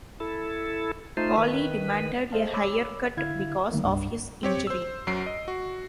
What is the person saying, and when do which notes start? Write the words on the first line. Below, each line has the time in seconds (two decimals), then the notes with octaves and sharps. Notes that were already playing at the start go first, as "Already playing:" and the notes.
Paulie demanded a higher cut because of his injury.
0.20 E4 A4
1.17 A3 D#4 F4 C5
1.38 D#3 B4
2.32 G#4 A4 C5 D#5 F5 A5
2.53 C#5 B5 D6 E6
3.17 D3 E4 E5 F5 G#6
3.72 D3 D#3 F#3 G3 A3 A#3
3.84 C2 G2
4.43 C4 G4 C#5
4.67 C5 E6
5.07 F#2 F#3 C7 D7
5.26 D#5
5.48 F#4